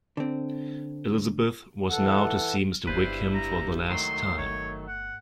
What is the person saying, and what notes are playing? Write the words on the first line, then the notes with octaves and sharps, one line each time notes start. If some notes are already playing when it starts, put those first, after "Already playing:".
Elizabeth was now to see Mr. Wickham for the last time.
D3 C4
E3 A4 F#5
G1 G2 G3 B3 E4 B4 C5
A#5
C#2 D#3 F#3 A3 C6
G1 C#5
F#5